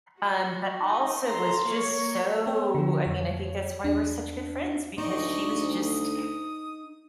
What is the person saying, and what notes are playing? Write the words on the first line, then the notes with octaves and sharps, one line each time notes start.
um, but also was just so I mean, I think that's why we're such good friends because she was just
F#4
D#4
A4 A#5 C6
A#3 A#4 C#5
B3 B4 C#5 G5
D3 F3
F2 C#5
E2 D4
D2 D#4 D5 D#5 C#6
D#6